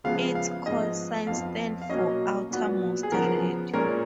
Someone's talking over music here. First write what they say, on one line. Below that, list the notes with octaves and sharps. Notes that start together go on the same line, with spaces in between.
Its call-sign stands for "OuterMost Radio".
C#3 F3 G#3 B3 F5
F5
G#2 F3 B3 D#5
F2 F3 B3 F5
F5
B2 F#3 A#3 C#4 D#5
A#2 F#3 B3
G#4
C#3 F3 B3 A#4
A#2 G#3 C#4 A#4